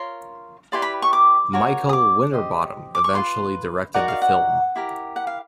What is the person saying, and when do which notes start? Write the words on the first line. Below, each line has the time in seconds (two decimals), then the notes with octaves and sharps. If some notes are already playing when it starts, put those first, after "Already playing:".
Michael Winterbottom eventually directed the film.
Already playing: F4 A#4 C#5 C6
0.72 E4 G4 B4 D5 C6
0.82 B5
1.02 C#6
1.13 D6
1.53 F#4 A#4 C#5
1.89 D#6
1.93 D6
2.33 G4 C5 D#5
2.95 D6
3.04 C#6
3.14 F4 G#4 B4 C6
3.94 D#4 F#4 A#4 D5 F#5
4.08 F5
4.22 F#5
4.76 E4 G4 A#4
5.16 F#5
5.27 F5